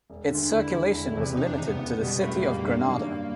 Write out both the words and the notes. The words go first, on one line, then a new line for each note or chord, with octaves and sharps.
Its circulation was limited to the city of Granada.
E1
D2 D3
E1 E4
D2 D3
E1
E2 C3
E1 D#4
D4
E2 C3 D#4
B3
C#2
B2 G3
C#2 A3
B2 G3 A#3
G2
D#3 F#3
G2